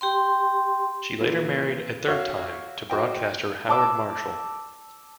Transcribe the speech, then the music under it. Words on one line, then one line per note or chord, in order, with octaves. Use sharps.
She later married a third time, to broadcaster, Howard Marshall.
G4 G5 C6
A#2 E3
F#4 C#5 E5 F5
F#4 C5 D#5 G5
A5 D6 E6